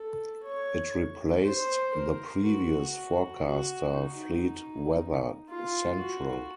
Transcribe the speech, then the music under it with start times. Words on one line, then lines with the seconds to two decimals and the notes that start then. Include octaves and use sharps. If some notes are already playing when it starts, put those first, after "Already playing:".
It replaced the previous forecaster, Fleet Weather Central.
Already playing: A4
0.43 C#5
1.44 C5
1.95 A#4
2.45 F#4
3.46 F#4
3.97 D#4
5.49 F4
5.99 F#4